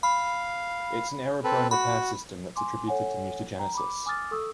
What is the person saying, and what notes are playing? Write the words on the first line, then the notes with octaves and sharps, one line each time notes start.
It is an error-prone repair system that is attributed to mutagenesis.
F5 B5
C4 A4 B4
F#4 B5
G#5 C6 D6
A4 C#5 F#5 G#5
G5 A#5
B5 D6
G#5 D6 D#6 F6 A6
A4 C#6 D#6 E6